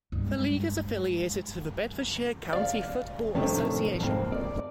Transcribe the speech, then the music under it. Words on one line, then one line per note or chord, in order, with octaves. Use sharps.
The league is affiliated to the Bedfordshire County Football Association.
G2 G#3
D5 F5
F2 A2 C3 D#3 C4 D4
F2 G#2 A#3 C4
D5